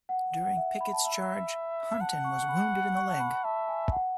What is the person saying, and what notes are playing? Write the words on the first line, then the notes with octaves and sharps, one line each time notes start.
During Pickett's Charge, Hunton was wounded in the leg.
F#5
F#5
F#5
E5
B5
A5
E5 B5
F#5 A5
C#6
B5
C#6
A5
B5
E5 A5
G#5
F#5